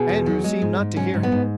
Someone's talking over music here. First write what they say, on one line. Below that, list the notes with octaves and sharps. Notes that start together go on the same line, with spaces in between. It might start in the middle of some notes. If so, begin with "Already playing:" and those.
Andrews seemed not to hear him.
Already playing: B2 G#4
E2
F#3
G#3
G#2
G#2
F#3 C#4
G#2
B3
G#2